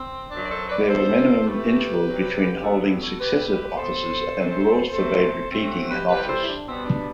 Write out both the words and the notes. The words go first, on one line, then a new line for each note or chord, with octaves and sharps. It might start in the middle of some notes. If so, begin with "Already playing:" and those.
There were minimum intervals between holding successive offices and laws forbade repeating an office.
Already playing: C4
F#2 F#3 C4 D4
D5
A4 C5
B4 D5
D5
G2 E3 B3 A4 C5
A2 E3 A3 C4 G4 B4
C3 F#3 C4
E2 D3 F#3 B3 F#4 A4
E4 G4
F#4 A4
A2 G3 C4 G4 B4
B2 F#3 B3 A4 C5
F#2 F#3 C4
F#2 F#3 A3 C4 A4 C5
G2 F#3 A3 C4
F#4 A4
G4 B4
C3 E3 G3 C4 G4 B4
A4 C5
E4
D4
B2 G3 B3 C4
D4